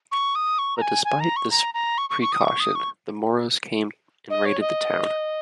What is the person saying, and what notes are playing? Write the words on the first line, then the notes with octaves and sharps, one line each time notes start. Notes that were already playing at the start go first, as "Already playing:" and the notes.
But despite this preacaution, the Moros came and raided the town.
C#6
D#6
C#6
A#5
G#5
G#5
A#5
C#6
A#5
A#5
C#6
C#6
C#6
D#6
C#6
D#6
C#6
D#5
C#5
D#5